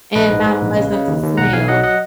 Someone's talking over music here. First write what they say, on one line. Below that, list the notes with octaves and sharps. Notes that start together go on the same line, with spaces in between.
and not pleasant to smell.
A#1 B4 D#5
G#2
G#2
A#1
C#3
C#3
D#2
D#2
B1 F#5 A#5
B1 F5 G#5
F#3 D#5 F#5
D#5 F#5